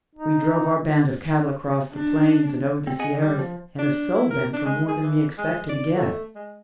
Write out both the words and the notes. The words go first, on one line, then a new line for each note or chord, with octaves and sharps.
We drove our band of cattle across the plains and over the Sierras, and have sold them for more than we expected to get.
D#4
D4
C4
G#4 D#5 F#5 G#5
G3
F3
D4
E4
A#4
D4
G#3
G#4
E3
G#3
D5
A3
G#3